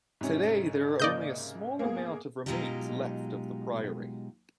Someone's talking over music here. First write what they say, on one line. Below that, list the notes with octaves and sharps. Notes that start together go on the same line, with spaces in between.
Today, there are only a small amount of remains left of the priory.
G#2 C3 C#4
C#3 A#3 D5 D#5 G6
A#3 B3 G#4
B2 F#3 G#3 D#4 F4 G4